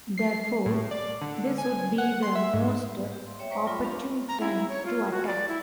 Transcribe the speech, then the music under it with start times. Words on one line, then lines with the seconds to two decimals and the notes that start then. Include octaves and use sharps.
Therefore, this would be the most opportune time to attack.
0.18 C7
0.66 A2
0.91 D5
1.21 D3
1.58 G#5
1.98 F#5
2.22 C6
2.35 E5
2.54 G#2
3.12 G4
3.26 F5 C6
3.39 C#5 E5 G5
3.50 G3 G#3 C5 D5 A#5 C#6
3.67 F#3 G3 F4 B5 D6
3.83 B3 D4 G4 F5
4.28 A#5
4.40 E4
4.69 C#5
4.85 F4
5.11 F#4
5.26 D5
5.48 E4